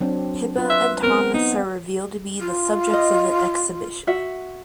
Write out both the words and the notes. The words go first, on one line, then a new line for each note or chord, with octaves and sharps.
Pippa and Thomas are revealed to be the subjects of the exhibition.
F#3 C4 D4
F4 B4
E5
B3 C4 A#4
B3 D#4
F4
D#5
F#4 E5 F#5